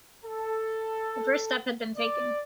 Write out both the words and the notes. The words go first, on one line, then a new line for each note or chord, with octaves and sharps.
The first step had been taken.
A4
D5